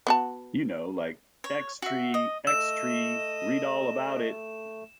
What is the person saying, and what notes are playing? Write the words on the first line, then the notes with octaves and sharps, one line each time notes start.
You know, like 'X-Tree, X-Tree read all about it!'.
B3 F#4 A5
C#5
F#4 E5
D#5
A3 D#5 E6 E7